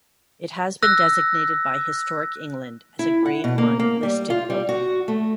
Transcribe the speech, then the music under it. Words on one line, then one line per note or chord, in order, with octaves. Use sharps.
It has been designated by Historic England as a grade one listed building.
E6 F#6 A#6
E4
F#5
B2
A#3
A#3
G3
F4
G3
F#4
A3